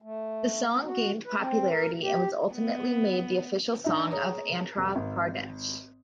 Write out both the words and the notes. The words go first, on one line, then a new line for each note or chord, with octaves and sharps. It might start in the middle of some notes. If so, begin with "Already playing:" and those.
The song gained popularity and was ultimately made the official song of Andhra Pradesh.
A3
F#4
B4
C4
A#4
G4
B3
D4 D#4 E5
G#4 C#5 A#5 D#6
F1
G#1